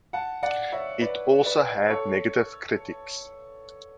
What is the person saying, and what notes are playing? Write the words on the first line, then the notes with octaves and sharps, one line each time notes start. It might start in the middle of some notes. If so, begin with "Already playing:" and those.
It also had negative critics.
F#5 A5
D5 F#5
C#5 E5
B4 D5
B4 D5
A4 C#5